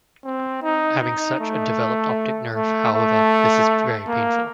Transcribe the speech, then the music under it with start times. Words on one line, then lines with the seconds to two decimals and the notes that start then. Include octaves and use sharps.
Having such a developed optic nerve, however, this is very painful.
0.25 C4
0.63 D#4
1.01 D#4
1.40 A3
2.55 A3
2.93 A3
4.08 A#3